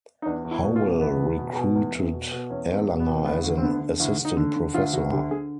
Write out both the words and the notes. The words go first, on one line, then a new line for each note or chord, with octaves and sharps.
Howell recruited Erlanger as an Assistant Professor.
D#4
E2 D4
E2
E4
B2
F4
B2
E2 B3
E2
B2
B2
E2
E2
B2
B2
E2 C#4
E2
C4
B2
B3
B2
D2 B3
D2
C4
D3 B3
D3
D2 E4
D2
D#4
D3
D3
D2 F4
D2 F#4
D3 G4
D3 G#4